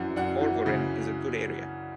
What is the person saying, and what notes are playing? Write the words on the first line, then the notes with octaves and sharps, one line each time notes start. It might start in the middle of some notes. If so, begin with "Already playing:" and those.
Porvorim is a good area.
Already playing: F#2 E3 F#5
F#2 F#5
E3
C#3